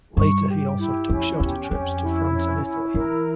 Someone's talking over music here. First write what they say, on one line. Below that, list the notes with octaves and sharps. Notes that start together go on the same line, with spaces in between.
Later he also took shorter trips to France and Italy.
G2 C#6
G4
E4
F2 C#4
E2 G4
F2 C#4
E4
C#4
E4
E3 A#4